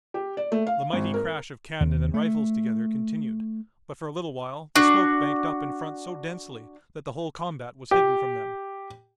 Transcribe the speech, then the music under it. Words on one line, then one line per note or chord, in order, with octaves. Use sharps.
The mighty crash of cannon and rifles together continued, but for a little while the smoke banked up in front so densely that the whole combat was hidden from them.
G4
D5
A3
F5
G#1
A#4
D#2
A3
D4 F#4
G4